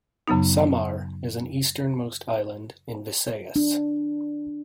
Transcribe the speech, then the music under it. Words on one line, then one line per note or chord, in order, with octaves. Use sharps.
Samar is an easternmost island in Visayas.
F#2 C#3 F#3 B3 D#4
D4